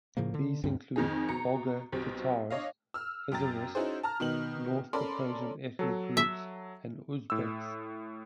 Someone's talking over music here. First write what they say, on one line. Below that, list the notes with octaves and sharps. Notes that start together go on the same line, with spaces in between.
These include Volga Tatars, Azeris, North Caucasian ethnic groups and Uzbeks.
A2 C#3 F3 A#3
D3
D2 G2 G3 C4
F2 D#3 D#4 G#4
B2 A#5 C#7
B1 B2 C4 G4
D4 C#5 D#5 F5
E6 F6
F#2 G5 A#5 A6
C#4 D#4 E4 F#4 G#4 C5
A5 A#5 F6
B2 D#3 D#4 F#7
C#4 A4 A#4 D5 B5 C6
F#3 A4
E5
A2 E6